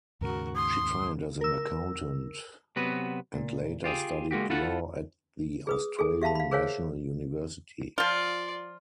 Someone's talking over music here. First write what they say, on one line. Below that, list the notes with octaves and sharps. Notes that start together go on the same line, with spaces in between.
She trained as an accountant, and later studied law at the Australian National University.
D#2 G#2 C#3 F#4 A#4
C6 D#6
A#4 E6
C3 F#3 B3 F#4 B4
A#2
F4 G4 G#4
G#3 A#3 F#4 G4
E4 F4 A4 F#5
G#4 B4 D#6
G#4 A4 G#5
G4 E5 F5 A5 B5
F5 B5
G#4 A#4 C5 C#5 F5 G#5
F3 F4 D5 C6